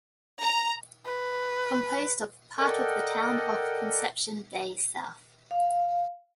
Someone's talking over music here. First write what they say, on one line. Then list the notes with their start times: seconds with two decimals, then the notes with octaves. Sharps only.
Composed of part of the town of Conception Bay South.
0.40 A#5
1.06 B4
2.59 A4 A#4 D5 D#5 F#5 G5
5.51 F5